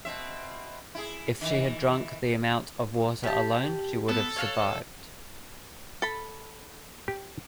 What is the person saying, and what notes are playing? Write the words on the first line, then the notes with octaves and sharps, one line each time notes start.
If she had drunk the amount of water alone she would have survived.
B2 C4 E5
E4 G#4
D#3 E3
G4 A5
B3 A4
C#5 F5 F#6
A4 B5
G4